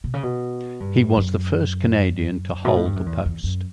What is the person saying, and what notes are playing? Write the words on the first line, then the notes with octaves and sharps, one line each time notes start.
He was the first Canadian to hold the post.
B2
C#3
B2
G2
F#2
B2
A2
G2
F#2
E2
E2
F#2